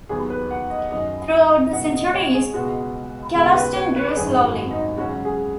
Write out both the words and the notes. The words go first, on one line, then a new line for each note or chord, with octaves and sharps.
Throughout the centuries, Chellaston grew slowly.
D#2 D#3 F#3 B3 G#4
B4
F#5
D#5
F#2 D#3 F#3 C#4 D#5
C#2 B2 B3 F#5
D#5
C#5
G#4
C#2 B2 G#3 B3 F#4
D#2 C#3 G#3 B3 F#4
B4
C#5
B4
G#1 F#2 D#3 G#4
F#4
D#4
C#2 C#3 F#3 C#4 F#4
G#4